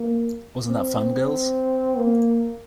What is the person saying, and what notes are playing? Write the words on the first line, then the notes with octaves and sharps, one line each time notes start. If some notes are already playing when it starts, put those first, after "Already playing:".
Wasn't that fun, girls?
Already playing: A#3
C4
C4
A#3